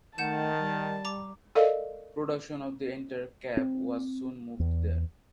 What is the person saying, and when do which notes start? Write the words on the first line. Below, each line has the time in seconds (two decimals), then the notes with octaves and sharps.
Production of the entire cab was soon moved there.
0.18 D#3 A3 F#5 A5 G6 E7
0.58 G3
1.05 A#5 D6
1.55 A4 A#4 D5 D#5 F5
3.57 C4
4.60 E2